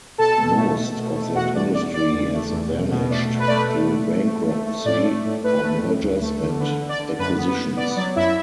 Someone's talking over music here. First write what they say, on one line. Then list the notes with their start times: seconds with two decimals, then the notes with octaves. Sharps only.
Most of that industry has vanished through bankruptcy or mergers and acquisitions.
0.18 B2 A4 A5
0.38 B2
0.57 A3
0.77 A3
0.97 B2
1.16 A3
1.35 E2 F#4 F#5
1.54 E2 D5
1.74 E2 D5
1.93 E2 D5
2.13 E2
2.32 A3
2.52 E2
2.71 B2
2.91 B2
3.11 A3 D5
3.30 B2
3.39 B4
3.48 A3 D5
3.56 B4
3.69 A3
3.88 A3
4.07 A3
4.27 A3
4.47 A3
4.66 A3
4.85 A2 D5
5.05 A3
5.25 A2
5.44 A3 B4
5.63 A3
5.83 A2
6.02 D2
6.21 A3
6.41 D3
6.60 D3 B4
6.80 D3
6.89 D5
6.99 D3
7.19 F#2 B4
7.38 B3
7.48 B4
7.57 B3
7.77 B3 D5
7.96 F#3 D5
8.16 F#2 E4 E5